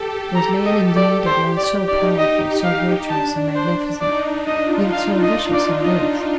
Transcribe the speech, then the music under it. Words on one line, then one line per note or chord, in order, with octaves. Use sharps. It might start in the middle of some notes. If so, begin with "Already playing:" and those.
Was man, indeed, at once so powerful, so virtuous and magnificent, yet so vicious and base?
Already playing: G4 A4
G4 A#5
D#5
A4
D5
G4 C5
G4 D5
D#4 D5
D#4 D#5
D#4
F5
D#4
D4 A5
D4
C5
D4
D#4 D5
D#4
D#5
F4
F5
D#5
D5
D#5